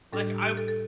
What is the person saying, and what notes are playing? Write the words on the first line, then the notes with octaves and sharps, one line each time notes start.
like I
A2 G3 D4 A4
G4
G4
A4
A4